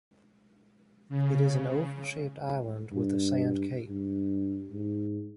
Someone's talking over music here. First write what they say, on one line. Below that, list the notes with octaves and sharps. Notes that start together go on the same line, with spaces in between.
It is an oval-shaped island with a sand cape.
C#3
G2
G2
G#2